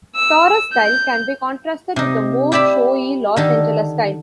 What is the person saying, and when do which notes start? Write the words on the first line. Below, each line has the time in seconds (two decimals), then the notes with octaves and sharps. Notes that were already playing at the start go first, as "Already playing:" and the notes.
Torres' style can be contrasted with the more showy Los Angeles style.
0.16 E6
0.73 G6
1.96 C3 D#4
2.52 E4 G4 D5 E5 B5
3.36 D3 D#3 A4